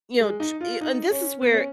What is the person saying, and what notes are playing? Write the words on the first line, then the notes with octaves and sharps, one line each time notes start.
you know, t and this is where,
G#3
D#4
F4
D#4
C#4
B3
C#4